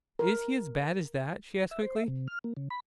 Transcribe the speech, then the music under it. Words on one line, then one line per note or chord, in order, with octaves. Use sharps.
"Is he as bad as that?" she asked quickly.
A#4
E5
C5
E5
C3
F6
A#3
C#3
B5